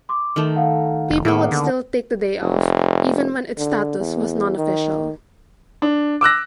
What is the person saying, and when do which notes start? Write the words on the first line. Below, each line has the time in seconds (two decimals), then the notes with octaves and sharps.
People would still take the day off even when its status was non-official.
0.09 C6 D6
0.36 D#3 A3
0.56 A4 F5 F#5
1.11 F1
1.25 A2 A#3 B3 G#4
1.52 D3
2.41 F1
3.58 D3
3.99 E2
4.57 D#3
5.82 D4
6.21 D6 E6 F#6 A#6